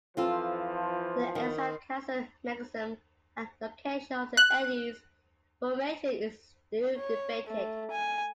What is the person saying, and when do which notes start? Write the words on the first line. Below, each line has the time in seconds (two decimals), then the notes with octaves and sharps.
The exact causal mechanism, and location of the eddies formation is still debated.
0.17 E3 F3 C4 F4 A4
1.35 D#3
4.37 F#6
6.97 C#5
7.47 A3
7.91 G#5